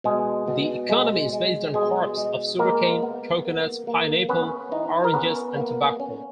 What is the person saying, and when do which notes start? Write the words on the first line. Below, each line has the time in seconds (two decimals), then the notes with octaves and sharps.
The economy is based on crops of sugarcane, coconuts, pineapple, oranges and tobacco.
0.04 B2 G#3 G#4
0.48 B2
0.89 G#3
1.33 G#3
1.74 B2 G#3 G#4
2.17 G#3
2.59 G#3 A#3 A#4
3.03 B3
3.45 A#3
3.87 A#3
4.29 B3 C#4 B4
4.72 E3 D#4 D#5
5.04 A#4
5.14 B3 C#4 B4
5.57 A#3
6.00 C#4